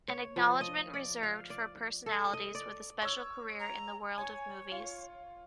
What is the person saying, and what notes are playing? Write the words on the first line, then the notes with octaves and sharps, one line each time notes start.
An acknowledgement reserved for personalities with a special career in the world of movies.
C#5
F3
D#5
D5
F5
D5
A4
D#5
D5
C#5 E6
A#5
C#5 G#5
F4